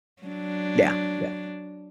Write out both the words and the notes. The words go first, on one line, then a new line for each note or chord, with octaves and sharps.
Yeah, yeah.
F#3 D4